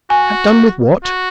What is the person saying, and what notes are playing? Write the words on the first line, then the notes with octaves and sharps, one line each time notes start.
'Have done with what?
F#4 G#5
F#4